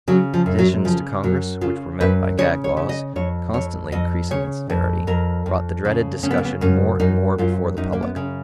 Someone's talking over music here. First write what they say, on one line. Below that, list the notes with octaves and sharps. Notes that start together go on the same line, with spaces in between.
Petitions to Congress, which were met by gag-laws, constantly increasing in severity, brought the dreaded discussion more and more before the public.
C#3 F#3
F3
F#2
F#3
C#3 F3
F#2 F#3
C#3 F4
F#2 B4
C#3 C#5
C#5
C#3
D#5
F2 C#5
F2 C#5
F2 D#5
C#3 C#5
F2
F2 A#4
F2
C#3
C#3 C#4
B3
A#3
B3
F#2 C#4
F#2 D#4
F#2 F4
F#2 D#4
A#3
B3
C#3